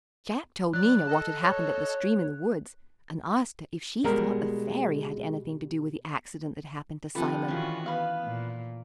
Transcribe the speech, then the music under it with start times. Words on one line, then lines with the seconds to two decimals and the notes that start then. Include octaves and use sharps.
Jack told Nina what had happened at the stream in the woods and asked her if she thought the Fairy had anything to do with the accident that happened to Simon.
0.73 F#3 D5 F#6
1.07 A4 D#5 A5
1.42 C#5
4.04 B2 G3 G#3 A#4
7.15 C3 F3 A4 B4 D5
7.48 D#3 E3 C#4 F4 F#4
7.86 B3 B4 F5
8.25 A#2